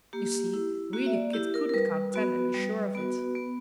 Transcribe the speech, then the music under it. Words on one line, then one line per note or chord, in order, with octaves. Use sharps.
You see, really Kit couldn't count ten and be sure of it.
A#3 G4
E4
A#3 F#4
E5
D5
E4 G4
A#4
A#4
G3 B4
B3 F#4
G3
B3 F#4
B3